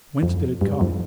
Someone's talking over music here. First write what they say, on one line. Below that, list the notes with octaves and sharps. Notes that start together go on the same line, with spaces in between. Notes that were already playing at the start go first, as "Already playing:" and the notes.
Whence did it come?
F2
G2
F2